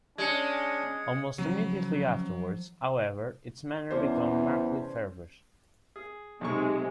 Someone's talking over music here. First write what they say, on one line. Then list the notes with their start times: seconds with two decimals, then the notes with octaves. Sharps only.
Almost immediately afterwards, however, its manner became markedly feverish.
0.18 G#3 C#4 D4 G#6 C#7
1.38 C#3 F3 F#3
3.90 E2 C#4 D4 C5
5.96 G#4
6.41 B1 C3 G#3 D#4 C#6